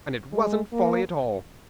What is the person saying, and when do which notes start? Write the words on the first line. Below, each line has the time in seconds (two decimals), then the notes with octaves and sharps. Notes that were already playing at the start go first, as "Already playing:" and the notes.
And it wasn't folly at all!
0.33 G#3
0.73 A#3